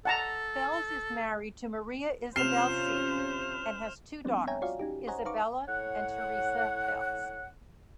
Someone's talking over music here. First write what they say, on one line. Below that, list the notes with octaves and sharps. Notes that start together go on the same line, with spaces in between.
Fels is married to Maria-Isabel Cid, and has two daughters, Isabella and Teresa Fels.
A4 F#5 A5 A#5
C3 C#4 F4 C5 F6 C7 E7 F7
F3 G3 B3 C4 D4
C#5 E5 G5 G#5 A#5
F4 F#4 C#5 D5 F5
C#4 D#4 G4
C5 C#5 D#5 F#5 G#5 A#5
D#4 B4 F5 A#5 C#6 D6
A2 C#5 F#5